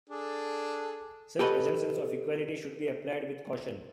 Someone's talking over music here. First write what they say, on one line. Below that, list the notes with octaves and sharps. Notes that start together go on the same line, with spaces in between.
Such assumptions of equality should be applied with caution.
D4 G#4 A4
G4 A4 B4 C#5 D#5